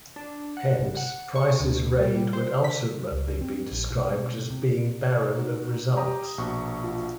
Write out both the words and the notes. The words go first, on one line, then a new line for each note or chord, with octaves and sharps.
Hence, Price's raid would ultimately be described as being "barren of results".
D4
F#5
G#1
F#5
C#6
D2
G3
C5
B6
C#2
C4
A#1
B1
B2
C3
D#4 F#4
G4 A#5 D#6
A#1 B2 C#6
F4